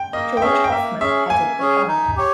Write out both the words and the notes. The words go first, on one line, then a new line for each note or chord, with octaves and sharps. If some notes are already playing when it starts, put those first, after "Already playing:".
George Hoffman headed the fund.
Already playing: G5
A#3 D#5
G5
C#4 G#4 E5
G5
A#3 E5
C#4 G#4 E5
A#3 G#5
C#4 G#4
D#4
G4 C#5